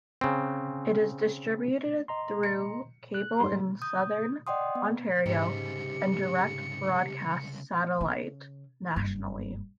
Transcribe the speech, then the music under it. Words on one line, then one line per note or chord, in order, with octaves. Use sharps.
It is distributed through cable in Southern Ontario and direct broadcast satellite nationally.
C#3 C4
D#5 A#5 C6
C#7
F#6
G#2 G3 C6
D#6 G6
D5 D#5 F#5 G5 C6 D#6
B3
C2 G#2 C#3 G4 C#7
C#3
F#1 G2